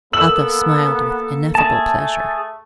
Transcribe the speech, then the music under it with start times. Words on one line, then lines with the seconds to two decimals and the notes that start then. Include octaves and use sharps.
Athos smiled with ineffable pleasure.
0.13 A#3 B3 A4 E6 F#7
1.55 A3 G#4 A5